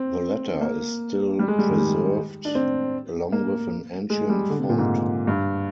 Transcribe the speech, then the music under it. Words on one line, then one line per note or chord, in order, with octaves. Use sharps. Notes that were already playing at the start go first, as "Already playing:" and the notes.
The latter is still preserved along with an ancient font.
Already playing: C4
A#3
G3
G#3
G3
D#3
G3
D4
C4
A#3
G#3
G3
D3
C3
A#2
G#2
G2